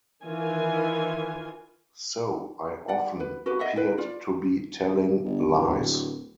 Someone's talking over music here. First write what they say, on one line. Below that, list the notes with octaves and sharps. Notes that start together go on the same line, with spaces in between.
So I often appeared to be telling lies.
D#3 E3 F4 G#5
D5 F#5
B4
F#4 B4
D#5 E5 F#5
B4 G5
F4 D5
G1
D1